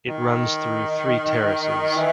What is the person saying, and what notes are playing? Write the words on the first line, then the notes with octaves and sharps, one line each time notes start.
It runs through three terraces.
D#3
E3